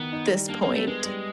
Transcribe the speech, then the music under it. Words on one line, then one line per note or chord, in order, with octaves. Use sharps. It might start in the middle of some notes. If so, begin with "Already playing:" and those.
this point
Already playing: D#3 B3
D#4
G3
A#3 D4
A#3
G3
A3
G#3 B3
G3